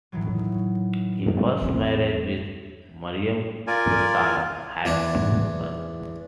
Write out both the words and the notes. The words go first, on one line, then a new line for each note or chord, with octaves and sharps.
His first marriage with Maryam Sultana had two sons.
A2 D#3 E3 F#3
E2 C4
F4 A#4 D5 G#5
E2 D4 F#5 G#5